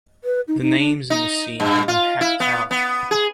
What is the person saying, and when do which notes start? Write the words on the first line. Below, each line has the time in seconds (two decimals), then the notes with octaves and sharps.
The names in the scene have been hacked out.
0.24 B4
0.48 D#4
0.62 D#4
0.79 D4
1.10 D#4
1.60 G2
1.88 F4
2.21 E4
2.40 B3
2.71 B3
3.11 G#4